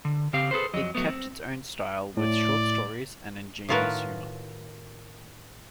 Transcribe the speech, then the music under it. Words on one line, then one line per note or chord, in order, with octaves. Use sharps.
It kept its own style with short stories and ingenuous humour.
D3
C#3 C4 G4 F5
G#4 A4 B4 C5
F2 F#3 D#5
F#3 A3 B3
C4
A2 D5
A2 D#3 F4 F#4 A#4 B4